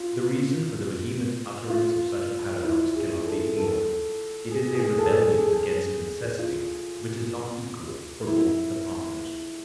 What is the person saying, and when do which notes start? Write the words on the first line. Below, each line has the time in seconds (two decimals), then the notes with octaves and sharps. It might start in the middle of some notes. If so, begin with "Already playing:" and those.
The reason for the vehement utterance of such a paradox cannot be ignored. It is a rebellion against a necessity, which is not equal for both the partners.
Already playing: F4
1.70 F4
2.63 E4
2.95 G#4
3.26 A4
3.57 A4
4.51 G#4
4.75 G#4
4.98 A4
5.22 G#4
5.45 G#4
6.39 F4
8.27 E4